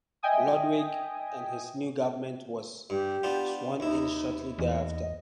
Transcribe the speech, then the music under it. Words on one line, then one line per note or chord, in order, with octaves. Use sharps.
Ludwig and his new government was sworn in shortly thereafter.
D#5 E5 G5 G#5 D#6
G2 G4
B3 D4 F4
D#2 D#4 E4
E2 D#5